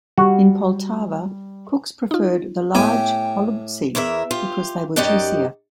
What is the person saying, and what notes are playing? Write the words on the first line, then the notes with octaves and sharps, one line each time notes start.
In Poltava cooks preferred the large holubtsi because they were juicier.
G3 F#4
D#4 F4
A2 B3 G4 G5 G#5
E2 E3 A#4 C5 E5
F4 G4
F#2 D#4 G4 D5 D#5 F#5